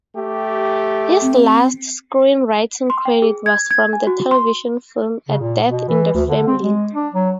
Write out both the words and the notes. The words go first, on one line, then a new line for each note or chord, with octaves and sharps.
His last screenwriting credit was from the television film "A Death in the Family".
A3 G4
C4
C6
G5
G#4
G#6
G#6
G#5
F#4
C6
C#3
A#2
B2
E3
D2
D3
C4
G#3
D4
F#3